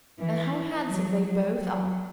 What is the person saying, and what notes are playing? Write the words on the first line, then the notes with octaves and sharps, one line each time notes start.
"And how handsome they both are!"
E3
F#3
F#3